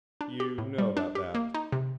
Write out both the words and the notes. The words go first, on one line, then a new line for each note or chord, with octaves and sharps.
"You know about that?"
D4
G4
A2
G3
D4
G4
A#3
D#4
C3